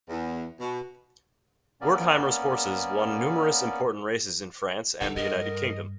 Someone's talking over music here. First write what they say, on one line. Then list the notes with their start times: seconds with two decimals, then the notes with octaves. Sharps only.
Wertheimer's horses won numerous important races in France and the United Kingdom.
0.09 E2
0.61 B2
1.81 A#3 B3 C#4 D5
5.01 D3 D#4 E4 A4 F#5
5.16 G2 A#4 D#5